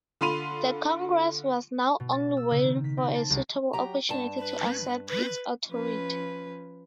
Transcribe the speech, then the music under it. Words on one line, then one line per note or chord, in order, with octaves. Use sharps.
The Congress was now only waiting for a suitable opportunity to assert its authority.
D3 F4 B5 C6 D#7 F7
B2
A6
E6
C#3
D#3
B6
C4
A5
C2
F#3 G4 A#5
G2 A5
B4
B4
F3 C#4 B4